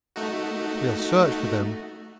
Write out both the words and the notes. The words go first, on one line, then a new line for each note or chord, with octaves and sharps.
We'll search for them.
A3 D#4 F#4